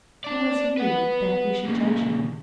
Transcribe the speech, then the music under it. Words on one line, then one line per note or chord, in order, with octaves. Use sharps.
Who was he that he should judge him?
D4 D5
B4 F#5
A#2 C#3